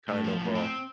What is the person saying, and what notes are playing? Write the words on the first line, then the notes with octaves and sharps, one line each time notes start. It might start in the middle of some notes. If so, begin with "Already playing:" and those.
kind of, uh,
A2
F3
A2
C4